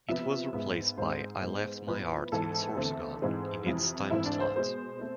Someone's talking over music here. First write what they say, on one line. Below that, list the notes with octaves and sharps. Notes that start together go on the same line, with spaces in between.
It was replaced by "I Left My Heart in Sorsogon" in its timeslot.
C3 F3 B3 E5
G#2 G#3 B3
G#2 G#3 C4 C5
G#2 G#3 B3
A2 F3 B3 B4
G#2 E3 B3 A4
E2 D3 A3 C4
G#2 E3 G#3 C4
F2 C3 E3
G#2 E3 A3 C4 E4
D4
C5
B2 G#3 B3 C5
A3 C4